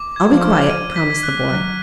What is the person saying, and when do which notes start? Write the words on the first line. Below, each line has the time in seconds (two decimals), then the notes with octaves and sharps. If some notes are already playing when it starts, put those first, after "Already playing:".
"I'll be quiet," promised the boy.
Already playing: D6
0.16 G#6
0.29 F3
0.43 F6
0.69 D#7
0.96 B6
1.23 F#6
1.49 F#3 F#6